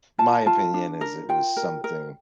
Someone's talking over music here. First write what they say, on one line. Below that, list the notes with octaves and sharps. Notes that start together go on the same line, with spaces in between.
My opinion is it was something
F4 A5
F4 A5
D4
A#4
F4 G5
A#4
A#4